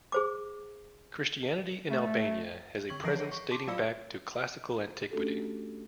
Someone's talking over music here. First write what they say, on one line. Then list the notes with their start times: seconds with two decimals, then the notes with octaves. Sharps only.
Christianity in Albania has a presence dating back to classical antiquity.
0.12 G#4 C5 D6
1.90 A3
2.89 D3 C#6 G#6 F#7
3.04 E3 F3 A#6 C7 D7
3.16 G#4 C#5
3.32 C#6
3.51 A5 C6 D6
3.67 F#3 F4 D5 F5 E6 C#7
5.11 A3 C#4 D4 F#4 G4 A4